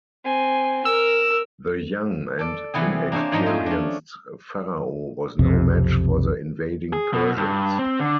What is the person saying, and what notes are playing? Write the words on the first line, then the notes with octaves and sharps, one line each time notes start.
The young and inexperienced pharaoh was no match for the invading Persians.
C4 G#5
A#4 E6
A4 D5
C3 E3 B3 G#4
A#3 D4 G#4 C5 C#5
G#2 F3 D#4 A#5 C6
G#3 A3 G#4
C#4 D4
B1 F2 C3
G#4
B2
G2
C4
D3